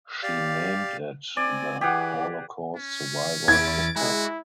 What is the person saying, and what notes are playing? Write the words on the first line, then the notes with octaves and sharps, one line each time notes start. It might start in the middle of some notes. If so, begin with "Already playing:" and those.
She named it The Holocaust Survivor Cookbook.
G4 D5 F5
C4 D5 G#5
E3 G4 G#4 F#5
C#4
E2 E4 G#6 A6 D7
G#3 E4 F#4